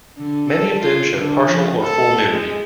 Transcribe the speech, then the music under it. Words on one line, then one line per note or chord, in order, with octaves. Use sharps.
Many of them show partial or full nudity.
D3
A4
F4
D3
F3
A4
G#3